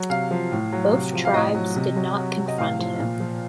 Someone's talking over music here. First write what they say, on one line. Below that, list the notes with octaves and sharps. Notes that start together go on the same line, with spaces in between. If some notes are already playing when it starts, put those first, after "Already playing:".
Both tribes did not confront him.
Already playing: F#3
C3 F5
F3
A2
F#3
C3
F3
F5
A2 D#5
F#3
C3
F#3
F#3
C3
D#5
A2 F5
F3
A#2
F3